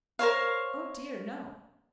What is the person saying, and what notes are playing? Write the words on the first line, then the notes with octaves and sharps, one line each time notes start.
"Oh dear, no!"
A#4 C5 C#5 F5